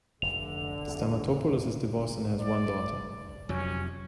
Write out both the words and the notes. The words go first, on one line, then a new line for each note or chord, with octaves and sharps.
Stamatopoulos is divorced and has one daughter.
F1 D3 F7
E2 G2
D5
F2 C3 F#3 C#4